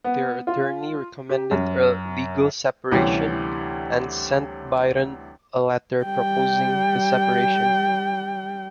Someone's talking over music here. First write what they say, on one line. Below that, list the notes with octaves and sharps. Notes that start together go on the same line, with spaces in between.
Their attorney recommended a legal separation and sent Byron a letter proposing the separation.
B3
F4
G4
F#2
D2 C3 E3 G3 C#4
G3 G5